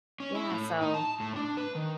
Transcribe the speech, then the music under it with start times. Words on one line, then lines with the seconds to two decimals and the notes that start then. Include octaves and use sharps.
yeah so
0.20 C#4
0.35 E4
0.50 A2
0.81 D#4
0.94 A5
1.20 A2
1.36 D4
1.57 B4
1.75 D#3